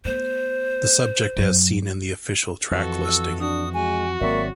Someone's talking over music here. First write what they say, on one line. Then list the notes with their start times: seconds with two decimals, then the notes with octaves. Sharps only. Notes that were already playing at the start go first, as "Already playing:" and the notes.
The subject as seen in the official track listing.
0.05 A3 B3 C5
1.37 F#2 F#3
2.71 F2 E3 F#4 A4
3.06 E6
3.40 D4 F#4 D#6
3.75 G#3 F#4 G#5
4.21 G#1 F#3 A#3 C4 D5 E5 C#6